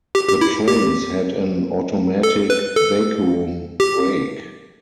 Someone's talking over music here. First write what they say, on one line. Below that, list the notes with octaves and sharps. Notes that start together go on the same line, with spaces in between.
The trains had an automatic vacuum brake.
G4
G4
E4
G4
A4
B4
A4
G4